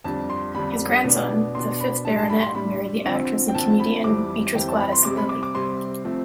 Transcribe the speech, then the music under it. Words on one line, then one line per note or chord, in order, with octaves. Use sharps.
His grandson, the fifth Baronet, married the actress and comedian Beatrice Gladys Lillie.
F2 D3 G3 D4 A5
C6
F2 D3 G3 D4 B5
B2 B3 D4
B2 B3 D4 C6
B5
A2 G3 D4 A5
A5
B5
C6
A2 G3 D4 B5
D3 F3 C4
G5
D3 F3 C4 A5
B5
F2 E3 G3 C4 D6
F2 E3 G3 C4 G5
A5
B5
C6
C3 G3 C4 D6
B5
D6
D6
C3 G3 C4 C6
F3 A3 C4